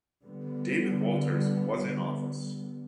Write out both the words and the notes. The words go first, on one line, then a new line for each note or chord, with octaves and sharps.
David Walters was in office.
D3 G3 B3